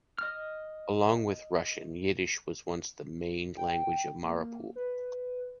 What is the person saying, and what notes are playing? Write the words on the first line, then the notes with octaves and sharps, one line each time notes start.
Along with Russian, Yiddish was once the main language of Mariupol.
D#5 F6
G5
A#3
B4